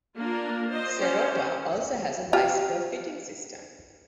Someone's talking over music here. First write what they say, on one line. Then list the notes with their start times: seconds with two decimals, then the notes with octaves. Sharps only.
Serotta also has a bicycle-fitting system.
0.16 A#3 D4 F4 A#4
0.70 C5 D#5
0.99 C#4 G4 C5
2.33 F4 G4